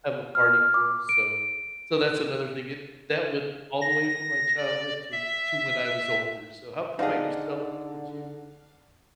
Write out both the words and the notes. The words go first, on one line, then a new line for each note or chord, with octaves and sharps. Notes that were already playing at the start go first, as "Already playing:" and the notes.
have a party for us, so so that's another thing, it that went all the way from my childhood to to when I was older. So how how 'bout yourself? Did you
F6
D6
D7
A#6
D5
E5
D3 D#4 G#4 D5 F5 F#5 A5